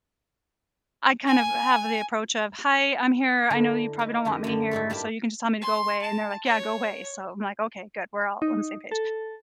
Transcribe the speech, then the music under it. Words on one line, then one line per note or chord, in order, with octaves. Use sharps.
I kind of have the approach of, "Hi, I'm here, I know you probably don't want me here, so you can just tell me to go away," and they're, like, "Yeah, go away." So, I'm, like, "Okay, good," we're all on the same page,
G#5
D3 A3 E4 A#5
D#4 B4
F#2 D#3 G4 D#5
F#2 D3
G#2 G3 D#4 E4
G2 A#3 G4 A5 B5
C6
A5
C#5
D#4
A4